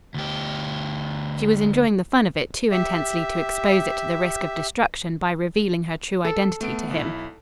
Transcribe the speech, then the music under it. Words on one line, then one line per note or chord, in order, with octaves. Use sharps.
She was enjoying the fun of it too intensely to expose it to the risk of destruction by revealing her true identity to him.
D2 G4
G4 E5
A4
A3 B3 D7
B1 E4